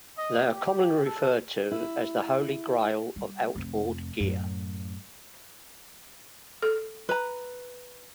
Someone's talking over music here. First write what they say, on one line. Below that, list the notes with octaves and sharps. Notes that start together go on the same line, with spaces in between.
They are commonly referred to as the "holy grail" of outboard gear.
D#5
G4
A4
E4
G3
F1 F2
F#2 A2
A4
B4 A#5